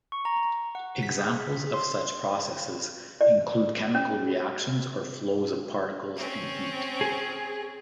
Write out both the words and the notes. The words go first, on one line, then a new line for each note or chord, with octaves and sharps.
Examples of such processes include chemical reactions or flows of particles and heat.
C#6
A#5
F#5
B6
G#4
C6
D5
C#4
C4 C#4
G#4